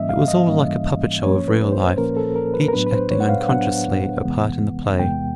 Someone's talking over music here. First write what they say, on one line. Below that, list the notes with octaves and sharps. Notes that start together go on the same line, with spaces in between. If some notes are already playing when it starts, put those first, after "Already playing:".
It was all like a puppetshow of real life, each acting unconsciously a part in the play.
Already playing: G#2 E3 G3 A#3 C#4 D#5 E5
F5
D#5
G#2 E3 G3 A#3 C#4
A#2 F3 A#3 C#4 C#5
B4
C5
A#2 F3 A#3 C#4 A#4
A4
A#4
B4
A#4
A2 F#3 B3 D4 B4
B4
C5
C#5
F#5
F5
A2 F#3 B3 D4 F#5
E2 C3 E3 G#3 B3
E2 C3 E3 G#3 B3 G5